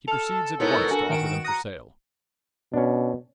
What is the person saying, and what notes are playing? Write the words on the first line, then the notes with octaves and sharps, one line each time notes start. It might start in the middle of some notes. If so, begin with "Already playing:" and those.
He proceeds at once to offer them for sale.
A4 A5 F6 F7
B2 G#3 B3 D#4 E4 A#4 C#5
D4 F#4 G#5
D#3 D7 E7
A#5 D#6 F#6 A#6 C#7
B2 C#4 D4